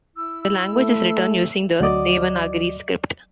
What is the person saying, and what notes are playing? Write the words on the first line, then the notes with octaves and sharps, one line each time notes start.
The language is written using the Devanagari script.
E4 E6
A3
D2 F#3 F#4 D5 D#5 D6